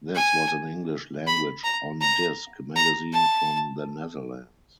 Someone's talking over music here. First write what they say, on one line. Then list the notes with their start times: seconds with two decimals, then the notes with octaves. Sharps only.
This was an English-language on-disk magazine from the Netherlands.
0.15 G#5
1.27 B5
1.64 A#5
2.01 A#5
2.76 A#5
3.12 A5